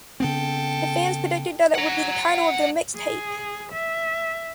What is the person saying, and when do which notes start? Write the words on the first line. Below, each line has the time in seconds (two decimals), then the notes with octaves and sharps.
The fans predicted that it would be the title of their “mixtape”.
0.20 C#3 B3 C4 A4 G5
1.75 F#5 A#5
2.96 G#4
3.72 E5